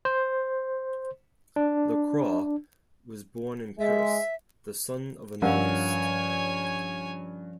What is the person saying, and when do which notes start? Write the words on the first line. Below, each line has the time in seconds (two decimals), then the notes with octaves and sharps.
Lacroix was born in Paris, the son of a novelist.
0.05 C5
1.56 D4
3.79 G#3 E5
5.42 G2 F3 C#4 A#4 C#5 F5 F#5 G#5